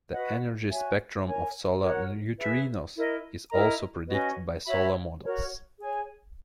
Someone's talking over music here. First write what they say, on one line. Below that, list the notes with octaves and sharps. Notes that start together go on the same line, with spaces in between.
The energy spectrum of solar neutrinos is also predicted by solar models.
F#4 B4 D#5 F#5
F#4 C#5 E5 G#5
A#4 C#5 G#5
F#4 A#4 C#5 F#5
G#4 B4 E5
E4 A#4 D#5
E4 A#4 D#5 A#5
C#4 F#4 B4 D#5
F#4 C#5 E5 B5
F#4 A#4 C#5
G#4 C#5 G#5